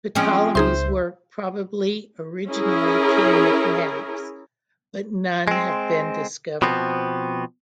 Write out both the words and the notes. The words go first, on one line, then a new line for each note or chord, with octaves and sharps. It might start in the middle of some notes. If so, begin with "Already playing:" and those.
Ptolemy's work probably originally came with maps, but none have been discovered.
F3 G#3 C4 C#4
C#2 D#4 G#4 C5 E5 C6
C#4 E4 G#4 A#4
G#3 C4
B2 F3 B3 C4